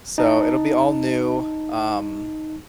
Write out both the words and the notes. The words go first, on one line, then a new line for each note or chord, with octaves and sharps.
So, it'll be all new, um
D#4 A5